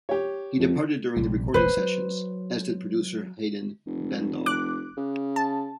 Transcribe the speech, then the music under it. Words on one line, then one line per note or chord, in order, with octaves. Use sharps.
He departed during the recording sessions - as did producer Haydn Bendall.
G4 C#5
F2
A#1 C3 G3
F1 A#1 B4 C5
F#3
F1
D6 F#6
C#3
A5